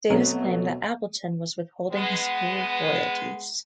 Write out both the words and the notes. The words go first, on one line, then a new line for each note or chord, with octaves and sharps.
Davis claimed that Appleton was withholding his full royalties.
B2 F#3 A3 B3 C4
G#3 B3